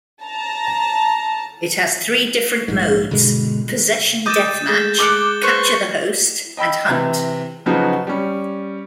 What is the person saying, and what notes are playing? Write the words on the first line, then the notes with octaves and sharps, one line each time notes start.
It has three different modes: Possession Deathmatch, Capture the Host and Hunt.
A5 A#5
A#1 G#2
G1 B2 D3 G#3
D#5 D6 D#6 G6 A6 E7
G#3 A3 A6
G#3 D6 F6 F#6 C#7 G7
B4 C5 C#6
D#5 G5 B5 E6
C3 E3
C#3 F3 F#3 D#4 F#4 B4
G3 C#4